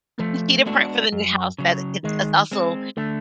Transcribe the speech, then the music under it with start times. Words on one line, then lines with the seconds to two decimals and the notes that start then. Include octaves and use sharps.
with cheetah print for the new house that it can is also,
0.19 F3 A3
0.66 G#3 B3 D4 F#4
1.12 F#2
1.58 C#3 F#3
2.04 D#3 G#3
2.51 G#3 C4
2.97 D3 A3